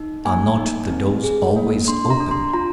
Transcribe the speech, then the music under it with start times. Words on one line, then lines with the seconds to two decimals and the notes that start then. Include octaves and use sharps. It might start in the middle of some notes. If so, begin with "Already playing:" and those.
Are not the doors always open?
Already playing: D#4
0.25 A#3 G#5
0.58 D#4
0.90 C4
1.24 G#4
1.56 A#3
1.88 D4 C6
2.10 A#5
2.20 D4
2.31 C6
2.53 F4 A#5